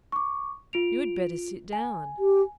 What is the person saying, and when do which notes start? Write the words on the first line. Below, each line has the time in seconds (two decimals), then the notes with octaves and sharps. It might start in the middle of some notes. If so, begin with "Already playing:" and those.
"You had better sit down."
0.12 C#6 D6
0.73 F4 D7 F7
1.73 G#5
2.19 G4